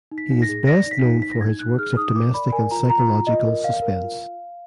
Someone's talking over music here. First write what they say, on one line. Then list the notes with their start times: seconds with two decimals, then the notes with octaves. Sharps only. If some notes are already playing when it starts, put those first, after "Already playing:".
He is best known for his works of domestic and psychological suspense.
0.12 D#4
0.18 B6
0.31 D#4
0.42 A#6
0.49 G#4
0.67 D5 A#6
0.86 D#4
0.91 B6
1.04 D#4
1.22 D#4 B6
1.32 A#6
1.41 D#4 G#6
1.59 D#4 F#6
1.79 G#4 F6
1.97 D#4 D#6
2.16 A#4 D6
2.34 D5 B5
2.52 A#4 G#5
2.71 F4 A#5
2.90 F4 A#5
3.08 F4
3.27 F4 D#5
3.45 A#4
3.64 D5 F5
3.82 A#4
4.02 F4